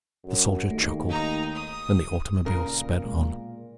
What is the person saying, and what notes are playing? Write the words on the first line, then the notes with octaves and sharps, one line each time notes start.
The soldier chuckled, and the automobile sped on.
F#2
D#2 A3
D#4 A#5
D#6
A#2 C#3 A#4
B2 G#3